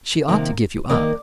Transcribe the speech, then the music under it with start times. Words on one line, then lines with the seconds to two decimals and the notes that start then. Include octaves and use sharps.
She ought to give you up.
0.28 C3 D#3 A#3 D#4
0.89 D#3 A#3 D#4 D5